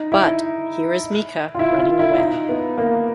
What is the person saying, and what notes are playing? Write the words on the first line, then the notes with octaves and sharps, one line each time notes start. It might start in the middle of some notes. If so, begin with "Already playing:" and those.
But, here is Mica, running away.
Already playing: D#4
E4
F4
E4
F4
E4
D#4
B3
A#3